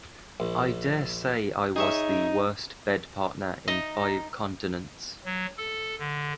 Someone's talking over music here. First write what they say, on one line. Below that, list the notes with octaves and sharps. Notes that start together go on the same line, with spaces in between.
I daresay I was the worst bed partner in five continents.
A#1
D#4 G#4 C#5 E5
D#4
F#3
A4
D3